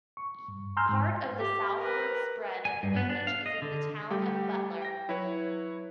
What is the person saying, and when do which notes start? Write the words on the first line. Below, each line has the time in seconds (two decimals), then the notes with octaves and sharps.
Part of the southward spread of the village is in the Town of Butler.
0.17 C#6
0.48 G2
0.77 G#5 A#5 C6 E6 F6 G6
0.89 G#2
1.39 G4
1.77 A#4 B4
2.65 G#5
2.83 G2
2.96 B3
3.09 D4
3.27 F5
3.46 D#5
3.62 D3
4.10 G3 A3 G4 G5
4.82 G5 A#6
5.09 F#3 E4 B4 C#5